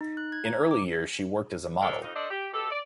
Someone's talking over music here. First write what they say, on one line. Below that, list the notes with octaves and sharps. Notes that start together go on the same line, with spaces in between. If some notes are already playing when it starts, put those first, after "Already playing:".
In early years she worked as a model.
D#4
F#6
G#6
A#5
D6
C#4 D4 A4 A#4 D#5
F2 D#4
D4 A4 C5 D5 D#5
G4
B2 G4 A4
D5